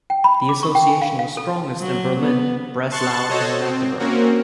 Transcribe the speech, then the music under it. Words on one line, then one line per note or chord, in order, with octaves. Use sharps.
The association was strongest in Berlin, Breslau, and Magdeburg.
G5
B5
D6
C#6
G5
G#5
F5
F5
A4
F#3
B3
A5 C6 C#6 F#6 A6
F#4 A4 C5 C#5 D#5 A5
C4
A#3 C4 C#4 F#4 A#4